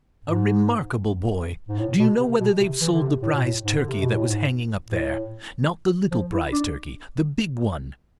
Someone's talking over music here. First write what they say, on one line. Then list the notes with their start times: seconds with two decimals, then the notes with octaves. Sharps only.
"A remarkable boy! Do you know whether they've sold the prize Turkey that was hanging up there?--Not the little prize Turkey: the big one?"
0.24 G#2
1.68 G#2
1.79 A2
1.99 B2
2.20 C3
2.40 B2
2.61 C3
2.81 E3
2.92 D3
3.02 C3
3.22 A2
3.34 B2
3.43 A2
3.64 G#2
3.76 D3
3.89 C3
4.01 B2
4.13 A2
4.26 G#2
4.87 A2
6.11 F3
6.32 E4
6.52 D4